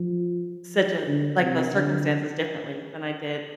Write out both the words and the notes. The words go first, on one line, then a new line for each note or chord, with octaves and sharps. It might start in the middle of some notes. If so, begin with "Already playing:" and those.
situa like, those circumstances differently than I did
Already playing: F3
D3
C3
D3